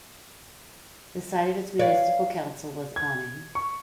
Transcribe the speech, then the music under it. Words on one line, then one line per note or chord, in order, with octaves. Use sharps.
The site of its municipal council was Auning.
B4 C#5 D5 F5
G#6
C#6